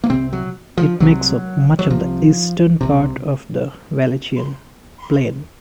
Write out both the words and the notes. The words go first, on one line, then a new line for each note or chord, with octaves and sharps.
It makes up much of the eastern part of the Wallachian Plain.
A#3
C2 C3 C4
F#3
F3
C2 C3 F#3
F#3
C2 C3 F3
C2 C3